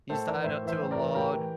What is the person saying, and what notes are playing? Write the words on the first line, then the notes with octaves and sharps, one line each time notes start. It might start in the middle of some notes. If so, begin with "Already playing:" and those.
he's tied up to a log,
A2 A4 C5
E3 A#4 D5
A2 C5 E5
E3
C5 E5
A2
A#4 D5
E3
A2 G4 A#4
E3